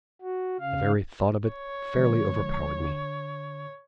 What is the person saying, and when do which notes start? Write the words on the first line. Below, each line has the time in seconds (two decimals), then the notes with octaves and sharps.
The very thought of it fairly overpowered me.
0.22 F#4
0.60 C#3 F5
1.49 C#5
1.96 D3 F3 G#3
2.81 D3